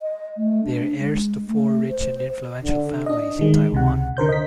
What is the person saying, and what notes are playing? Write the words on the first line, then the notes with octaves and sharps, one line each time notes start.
They are heirs to four rich and influential families in Taiwan.
D#5
A3
D4
G#3
A3
C5
D3
D4 D#5
D#3 G#3
C#2 C3 F#5
D3 A#4 C5 G6
D#5 B6